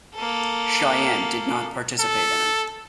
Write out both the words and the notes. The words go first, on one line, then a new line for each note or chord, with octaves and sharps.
Chayanne did not participate in it.
A#3 A4
A4